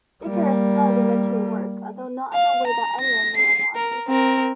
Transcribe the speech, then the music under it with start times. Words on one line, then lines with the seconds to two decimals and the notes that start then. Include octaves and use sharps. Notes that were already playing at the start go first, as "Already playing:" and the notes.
Icarus does eventually work, although not in the way that anyone may have wanted.
0.24 G3 A#3
2.33 F5
2.67 A#5
3.01 A#6
3.37 C7
3.75 A#4
4.08 C4 A#4